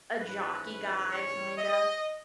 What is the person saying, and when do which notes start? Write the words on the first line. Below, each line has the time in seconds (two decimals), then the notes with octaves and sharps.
a jockey guy kinda,
0.19 G#2 E3 G#3 C#4 B4
0.66 B4
1.11 C#5
1.57 D#5